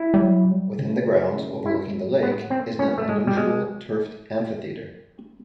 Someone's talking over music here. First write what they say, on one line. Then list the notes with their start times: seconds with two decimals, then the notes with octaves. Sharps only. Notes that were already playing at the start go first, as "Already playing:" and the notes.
Within the grounds, overlooking the lake, is an unusual turfed amphitheatre.
Already playing: E4
0.14 G3
0.21 F#3
0.50 G3
0.79 C#3
1.64 G2 E4
1.93 G#2
2.22 A2 B3
2.50 C4
2.79 C#4
2.98 A3
3.09 G#3
3.27 G3
3.37 G#3